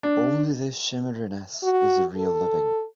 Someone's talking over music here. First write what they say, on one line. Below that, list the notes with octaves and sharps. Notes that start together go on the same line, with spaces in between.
Only this shimmeriness is the real living.
D4
F#4
A4